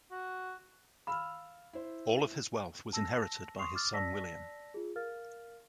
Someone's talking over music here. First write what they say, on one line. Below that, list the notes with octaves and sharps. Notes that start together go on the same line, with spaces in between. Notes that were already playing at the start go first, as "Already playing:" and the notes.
All of his wealth was inherited by his son William.
F#4
F5 B5 E6 F6
E4 C5
A5 E6 A#6
C6 C#6 D#6 C7 F7
D6 D#6 F6 A6
D5 A5 E6 A#6 B6
F4 G#4
A#4 F5 F6 A6